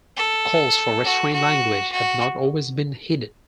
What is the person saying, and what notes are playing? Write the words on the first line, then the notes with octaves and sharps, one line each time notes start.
Calls for restrained language have not always been heeded.
A4
F#4
F#4
F#4